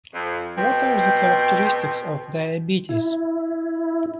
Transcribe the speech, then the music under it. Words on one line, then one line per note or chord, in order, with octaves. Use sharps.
What are the characteristics of Diabetes?
F2
B2 C4 C5 G5
E4